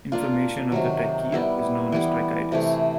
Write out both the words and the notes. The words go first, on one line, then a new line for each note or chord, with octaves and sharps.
Inflammation of the trachea is known as tracheitis.
A#3 D4 F4
C3 D#3 F#3
G3 B3 E4
E3 G3 B3
C3 E3 A3